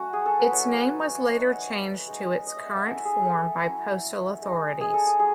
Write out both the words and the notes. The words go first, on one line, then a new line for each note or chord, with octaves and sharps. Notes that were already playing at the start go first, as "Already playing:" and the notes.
Its name was later changed to its current form by postal authorities.
Already playing: F#3 A3 C#4 F#4
G#4
A4
B4
F#3 C#4 E4 C#5
F#3 A3 D#4 C#5
G#3 D#4
D#5
E5
F#5
E5
A3 C#4 E4 A4
G#4
A4
F#3 C#4 E4
G#3 D#4
G#4
A4
G#4
F#3 G#4